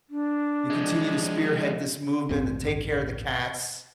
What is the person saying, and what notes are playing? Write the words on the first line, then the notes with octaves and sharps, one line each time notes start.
you continue to spearhead this movement and take care of the cats.
D4
F3 G#3
A1 D2 G2 C4